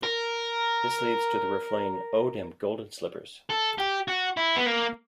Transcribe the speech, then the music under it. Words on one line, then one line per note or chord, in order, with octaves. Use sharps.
This leads to the refrain: Oh, dem golden slippers!
A#4
A4
G4
F#4
E4
B3
A#3